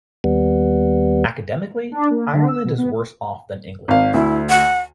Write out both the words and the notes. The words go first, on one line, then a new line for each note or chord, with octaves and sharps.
Academically, Ireland is worse off than England.
D#2 G3 B3
D4
A#3
D3
E6
B2
B3
G#1 F5
D2 E4
F#5